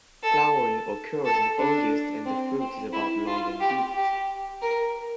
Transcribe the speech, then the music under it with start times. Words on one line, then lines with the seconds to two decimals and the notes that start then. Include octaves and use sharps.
Flowering occurs in August and the fruit is about long and beaked.
0.23 A4
1.25 A4
1.58 D4
2.25 C4
2.60 C4
2.93 E4
3.27 F4
3.60 G4
3.94 G4
4.62 A#4